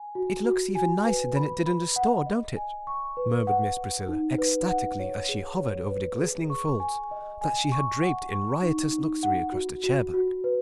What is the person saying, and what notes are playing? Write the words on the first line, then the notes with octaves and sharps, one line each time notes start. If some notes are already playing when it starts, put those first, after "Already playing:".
"It looks even nicer than it did in the store, don't it?" murmured Miss Priscilla, ecstatically, as she hovered over the glistening folds that she had draped in riotous luxury across the chair-back.
Already playing: G#5
F#4
F#4
G#5
B4
B5
B5
F#5
D#5
G#5
C#6
B4
F#5
F#5
D#4
B4
F#5
C#5
G#4
C#5
B4
G#4
C#6
G#5
D#5
G#5
C#6
F#5
C#6
D#4
D#4
F#5
F#4
F#4
F#4
B4